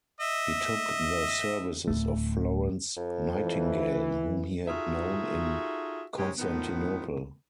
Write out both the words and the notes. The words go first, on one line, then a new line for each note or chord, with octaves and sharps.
He took the services of Florence Nightingale whom he had known in Constantinople.
D#5 E5
D1 C2 A3
F2
E3
D#4 F4 F#4 G#4 A4 E5
C3 G#3 C#4 D#4 G4
A2 D#3 F3 B3